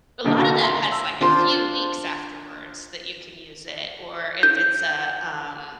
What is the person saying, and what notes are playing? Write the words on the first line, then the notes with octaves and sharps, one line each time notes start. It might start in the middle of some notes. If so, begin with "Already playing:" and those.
a lotta that has, like, a few weeks afterwards that you can use it, or if it's a, um
A#2 D3 D#4
F4 F#4 A4
E5 C6
E6
D4 F4 C5
G6